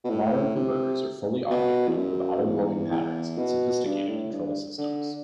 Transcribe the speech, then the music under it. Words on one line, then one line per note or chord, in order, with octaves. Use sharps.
Modern converters are fully automated with auto blowing patterns and sophisticated control systems.
B2
A2
C3
B2
E2
F#2
E2
E2
B2
G2
A2
G2
D3